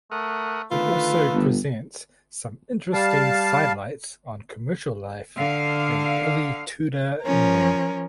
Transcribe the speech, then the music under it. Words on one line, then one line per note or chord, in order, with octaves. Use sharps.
It also presents some interesting sidelights on commercial life in early Tudor England.
A3 A#4 F#5 D#6
D3 D#3 A3 F4 B4
G1
G3 F5 A5
D3 F5
F3 C#4 A#4